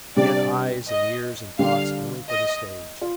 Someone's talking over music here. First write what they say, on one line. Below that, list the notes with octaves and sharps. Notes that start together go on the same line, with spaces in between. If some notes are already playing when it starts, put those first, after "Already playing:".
He had eyes and ears and thoughts only for the stage.
C3 G3 D4 G4 D5
D#5
D3 G3 D4 F5
D#5
F4